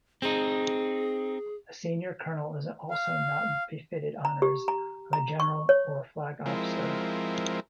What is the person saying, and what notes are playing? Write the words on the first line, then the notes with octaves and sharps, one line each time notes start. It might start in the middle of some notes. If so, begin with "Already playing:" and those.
A senior colonel is also not befitted honors of a general or flag officer.
C4 D#4 G#4
F5
A#5
G4
A#5
A#5
C#6
C#5
F3 G#3 C4 E4 A#4